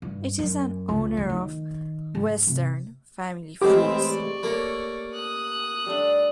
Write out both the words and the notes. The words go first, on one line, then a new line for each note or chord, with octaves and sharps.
It is an owner of Western Family Foods.
G2
F#2
C#2
D2
D#3
G#2
C3
A1 G#3 C4 G4 E5 B5
D5 C#6
A3 A#3 A#4 C#5
D#6 F#6
G3 A3 D4